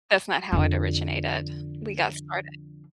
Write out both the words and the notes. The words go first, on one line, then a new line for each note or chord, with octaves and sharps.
That's not how it originated. We got started.
F2 D3